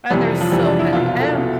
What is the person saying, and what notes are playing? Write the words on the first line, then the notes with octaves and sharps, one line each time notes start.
and there's so many, and
F2 C3 E3 G3
F3
F2 C3 E3 G3
D4
E4
C2 B2 F4
F4
A4
C2 B2